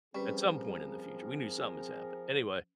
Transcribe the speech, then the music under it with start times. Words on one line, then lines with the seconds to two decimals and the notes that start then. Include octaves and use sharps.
at some point in the future- we knew something has happened. Anyway,
0.15 F3 G3 C4 C#4 G#4 A#4 B4